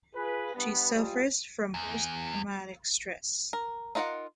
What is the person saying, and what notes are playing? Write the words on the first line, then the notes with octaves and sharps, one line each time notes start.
She suffers from post-traumatic stress.
F4 G#4 B4
G2 B3
F3 G3 G#3
E2
A#4
D#4 F4 A#4 F5 F#5